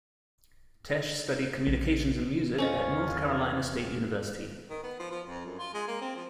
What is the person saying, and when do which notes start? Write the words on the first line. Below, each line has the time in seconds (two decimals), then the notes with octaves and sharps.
Tesh studied communications and music at North Carolina State University.
1.67 A#1
2.58 E2 C#4 F4 A4 C5 D#5
4.70 D#3
4.83 B3
5.00 F3
5.11 F3
5.27 F2
5.45 F#2
5.59 F4
5.74 G#3
5.88 A#3
6.01 C4
6.16 F3